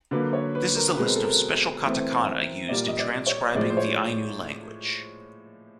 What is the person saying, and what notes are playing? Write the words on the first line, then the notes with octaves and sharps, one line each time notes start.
This is a list of special katakana used in transcribing the Ainu language.
D3 F#3 A#3 B4
C#5
B4
A#4
B2 G#3 C4 B4
A#4
A4
A#4
E3 A3 C4
A#2 G3 A#3 D5
D#5
D5
C#5
A2 F3 G#3 D5
C5
C#5